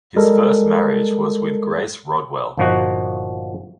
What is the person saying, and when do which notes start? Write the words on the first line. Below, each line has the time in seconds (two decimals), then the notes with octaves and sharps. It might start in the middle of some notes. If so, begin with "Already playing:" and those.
His first marriage was with Grace Rodwell.
0.16 G3 G#3 A4 A#4
2.57 G1 A#2 F3 A#3 D#4 F#4